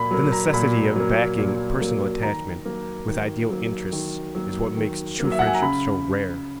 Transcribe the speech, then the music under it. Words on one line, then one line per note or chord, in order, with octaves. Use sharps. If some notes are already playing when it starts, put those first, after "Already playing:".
The necessity of backing personal attachment with ideal interests is what makes true friendship so rare.
Already playing: A#2 F#3 A#3 B5
F#3 A#3
A#5
A#2 B5
F#3 A#3
A#2
F#3 A#3
D#3 A#5
F#3 A#3
D#3
F#3 A#3
D#3
F#3 A#3
D#3
F#3 A#3
E5
F#5
G#5
A#5
C#3 B5